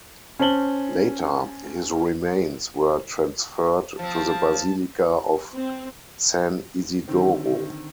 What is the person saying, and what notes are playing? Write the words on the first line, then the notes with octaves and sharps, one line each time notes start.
Later, his remains were transferred to the Basilica of San Isidoro.
C#4 C5 A5 F#7 G7
F3 C4 A5
C4
D3 D#3 C4